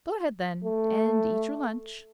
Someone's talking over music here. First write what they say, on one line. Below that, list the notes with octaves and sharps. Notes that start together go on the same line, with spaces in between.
"Go ahead, then, and eat your lunch."
A3